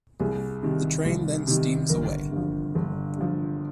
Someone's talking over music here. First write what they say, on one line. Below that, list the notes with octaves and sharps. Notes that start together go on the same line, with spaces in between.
The train then steams away.
C2 G#4
C3 D#3
C2
C3 D#3
G1 A#4
G2 F3
G1
G2 F3